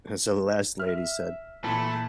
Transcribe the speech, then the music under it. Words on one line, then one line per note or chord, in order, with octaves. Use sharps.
And so the last lady said
E5 F6
A#2 E3 A3 A5 B5